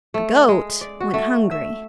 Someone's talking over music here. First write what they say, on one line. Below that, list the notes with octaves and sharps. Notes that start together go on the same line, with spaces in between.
The goat went hungry.
A3
G#3
D5
F#4
A3
E5